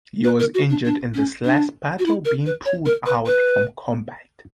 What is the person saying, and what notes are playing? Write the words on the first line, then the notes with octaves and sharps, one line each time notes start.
He was injured in this last battle being pulled out from combat.
B4
A#4
F#4
D4
D4
C#4
D4
F#4
E4
A#4
B4
C#5
A#4
B4
B4